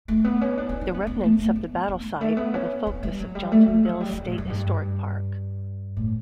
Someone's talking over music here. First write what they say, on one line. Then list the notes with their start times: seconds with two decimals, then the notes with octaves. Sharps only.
The remnants of the battle site are the focus of Johnsonville State Historic Park.
0.08 A3
0.24 B3
0.41 C#4
0.58 D4
0.69 D4
0.81 D4
0.94 B3
1.07 B3
1.23 A3
1.39 B3
1.55 B3
1.88 D4
2.04 G3
2.21 A3
2.37 B3
2.54 C#4
2.87 B3
3.03 G3
3.20 F#3
3.35 G3
3.52 A3
3.68 A3
3.85 F#3
4.00 G3
4.09 F#3
4.13 E3
4.25 A2
4.31 G2
4.38 F#2
4.50 G2
5.97 A2